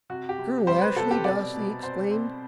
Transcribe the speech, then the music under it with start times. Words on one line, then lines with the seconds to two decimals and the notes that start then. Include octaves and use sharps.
"Colonel Ashley!" Darcy exclaimed.
0.10 C3 F#4
0.29 G4
0.39 C3
0.67 G3 C5
0.81 B4
0.96 C3 A4
1.11 G4
1.25 B2 D5
1.54 B2
1.83 C4 C5
2.11 C4